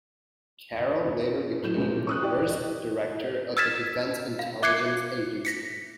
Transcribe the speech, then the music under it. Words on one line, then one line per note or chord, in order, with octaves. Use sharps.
Carroll later became the first director of the Defense Intelligence Agency.
A2 F#3 G6 E7
F1 A#2 C#3 G#3
C#6 D#6 F#6
E4 G4 D5
D#5
E6 F6 G#6 A6 B6 E7
F5
E5 D6 F#6 G#6 C7 C#7
A#6 B6 C#7